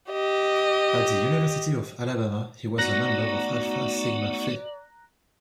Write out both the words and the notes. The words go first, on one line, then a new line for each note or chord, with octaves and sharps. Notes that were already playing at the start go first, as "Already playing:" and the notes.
At the University of Alabama he was a member of Alpha Sigma Phi.
G4 D#5
A3 B3 D#4 F#4 D5 A#5 F#6 A#6